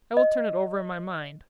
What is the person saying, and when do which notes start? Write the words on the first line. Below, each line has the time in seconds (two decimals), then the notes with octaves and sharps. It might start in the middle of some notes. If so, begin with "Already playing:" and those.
I will turn it over in my mind.
0.17 D#5